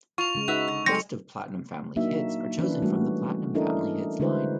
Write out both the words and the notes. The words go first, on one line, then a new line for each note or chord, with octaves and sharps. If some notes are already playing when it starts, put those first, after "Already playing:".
Best of Platinum Family Hits are chosen from the Platinum Family Hits line.
F4 C#6 F7
C#3 G#3
D#4 F#4 B4 E5 F7
D3
F#3 C4 A4 A#6 C#7
F#3 A#3 D4 D#4 F#4 E5
E3 C#4 D4 B4
E3 G3 A3 F#4
C#4 D4 E4 A4 A#4 D#5
D3 G#3 E4 F#4 B4 C5